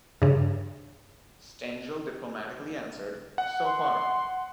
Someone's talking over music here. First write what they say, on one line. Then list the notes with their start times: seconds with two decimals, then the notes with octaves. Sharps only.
Stengel diplomatically answered, So far!
0.22 G2 C#3
3.38 F#5
3.65 C6